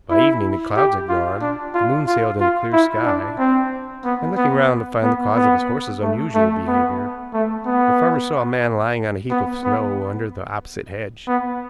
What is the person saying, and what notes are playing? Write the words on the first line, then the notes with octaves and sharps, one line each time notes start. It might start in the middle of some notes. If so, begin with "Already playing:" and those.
By evening the clouds had gone, the moon sailed in a clear sky, and, looking round to find the cause of his horse's unusual behavior, the farmer saw a man lying on a heap of snow under the opposite hedge.
E4
G4
F4
D4
F4
F4
F4
E4
D4
C4
B3
B3
B3
B3
A3
A3
B3
A3
B3
B3
B3
B3